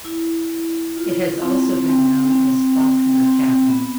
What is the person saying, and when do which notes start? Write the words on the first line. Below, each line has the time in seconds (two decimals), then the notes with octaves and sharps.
It has also been known as Faulkner Cabin.
0.05 E4
0.96 F4
1.42 C4
1.86 C4
2.33 C4
2.78 C4
3.23 C4
3.68 B3